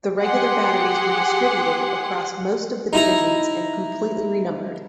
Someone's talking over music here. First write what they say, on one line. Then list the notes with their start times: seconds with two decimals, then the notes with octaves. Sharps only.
The regular batteries were distributed across most of the divisions and completely renumbered.
0.21 G4 G#4 F#5 C6
2.93 D#4 E4 A#5